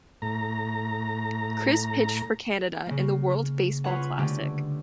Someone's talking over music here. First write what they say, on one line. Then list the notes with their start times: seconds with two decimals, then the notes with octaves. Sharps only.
Chris pitched for Canada in the World Baseball Classic.
0.22 A2 A#5
2.86 C#3 A#3
3.84 C#4 F4 B4 C#5 F#5
4.18 D3 A3 C#4 D4 G4